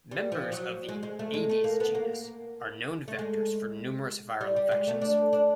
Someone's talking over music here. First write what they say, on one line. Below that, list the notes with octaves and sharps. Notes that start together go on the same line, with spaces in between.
Members of the "Aedes" genus are known vectors for numerous viral infections.
G3
F3
F#3
G#3
G#3
A3
G#3
A3
A#3
B3
A#3
A3
G#3
G3
G3
G#3
A3
D4
D4